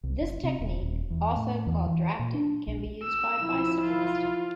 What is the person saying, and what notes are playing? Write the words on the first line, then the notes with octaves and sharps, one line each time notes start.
This technique, also called Drafting can be used by bicyclists.
C2
F#1
C3
D#1
D#1
E2
A2
E2
E3
A#2
D4
A#1
E6
F3 E4
F4